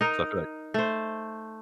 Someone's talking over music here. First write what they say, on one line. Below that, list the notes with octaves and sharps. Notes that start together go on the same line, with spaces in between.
so I feel like
D#4 A#4
A3 C5